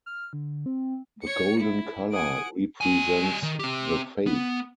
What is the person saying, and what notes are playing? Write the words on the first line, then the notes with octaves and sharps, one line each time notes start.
The golden color represents the faith.
F6
D3
C4
C#5 C#7
E4
F#5 G#5 D#6 D7
G3 G#5
D#3
C4 G4
B3